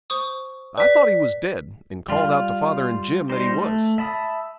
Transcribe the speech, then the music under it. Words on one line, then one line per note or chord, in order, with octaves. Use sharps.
I thought he was dead, and called out to father and Jim that he was.
C5 C#6 D#6
B4 D5 B6
G3 F4
G3 D#4 C5
A3
E5 A5 B5 D#6